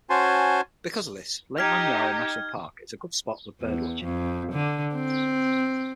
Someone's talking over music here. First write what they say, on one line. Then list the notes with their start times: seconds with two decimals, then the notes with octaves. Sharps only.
Because of this Lake Manyara National Park is a good spot for bird watching.
0.10 C#4 F#4 C5 G#5 A5 C6
1.58 D#4 G4 F6 G#6
3.62 E2
4.04 F2
4.52 D3
4.95 C4